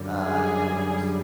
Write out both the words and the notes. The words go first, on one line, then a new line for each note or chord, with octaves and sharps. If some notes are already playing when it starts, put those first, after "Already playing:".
uh, and
Already playing: F#2 D3 G3
G#4